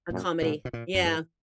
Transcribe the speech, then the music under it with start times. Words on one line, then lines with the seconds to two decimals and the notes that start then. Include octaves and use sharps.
A comedy. Yeah.
0.10 F#2 A#2
0.42 G#2 B2
0.65 B2
0.73 A#2
0.94 F#2
1.05 G#2 E3